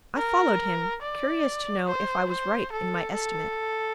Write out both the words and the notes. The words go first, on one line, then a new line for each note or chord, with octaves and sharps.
I followed him, curious to know if I was right in my estimate.
A#4
D5
C5
C5
A4
A4